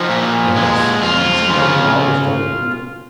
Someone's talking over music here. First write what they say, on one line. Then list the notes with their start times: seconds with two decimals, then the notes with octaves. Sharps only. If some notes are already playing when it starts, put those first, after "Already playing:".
Yes, these eleven are of gold.
Already playing: F3 D#4
0.09 A#2
0.56 G#3
1.02 F2 F4
1.49 C#3